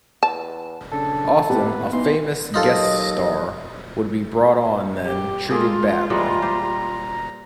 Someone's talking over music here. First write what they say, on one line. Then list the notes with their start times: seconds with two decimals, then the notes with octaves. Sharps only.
Often a "famous" guest star would be brought on then treated badly.
0.23 E2 A5
0.92 C#3 D4 A4
1.50 A2 B3 C4 G4 B4
1.93 E3 B3 D#4 C6
2.54 D#2 F#3 D#4 F4 A4 D#5
5.06 G4
5.50 G#3 A#3 F4 G#4 A4
6.10 E3 G3 G#3 A#5
6.42 G4 C5 F5